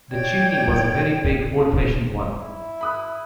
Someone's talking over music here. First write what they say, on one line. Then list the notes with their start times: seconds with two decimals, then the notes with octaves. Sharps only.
The chimney was a very big old-fashioned one.
0.10 C#5 D5 G5 G#6
2.40 E4
2.81 B5 D#6 F#6